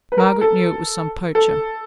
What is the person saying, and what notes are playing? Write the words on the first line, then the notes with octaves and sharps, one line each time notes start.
Margaret knew it was some poacher.
B4
A#4
A4
A4